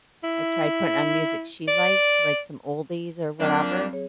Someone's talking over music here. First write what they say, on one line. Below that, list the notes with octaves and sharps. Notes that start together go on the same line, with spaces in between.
I tried putting on music she liked, like some oldies or whatever.
E4
D5
F2 F#3 A#3 C4 D4
G#4 C#5